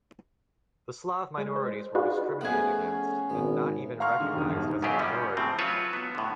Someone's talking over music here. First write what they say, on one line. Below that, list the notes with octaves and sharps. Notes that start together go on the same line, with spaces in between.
The slav minorities were discriminated against, and not even recognised as a minority.
G#3
C5
D#4 F4 F#4 G#4 B4 D5
F2 A3 B3 C#4 G#4 F#5
G#1 B3
F5 A#5 C6 C#6 F6
D3 D#3 G#3
E1 G4 D#6
G1 G#2
C#2 F#2 F#3 B3 G4 G#4
F3 G3 C#4
A2 C#3 C4
F#3 F4 B4 C#5 E5
B3
A2 D3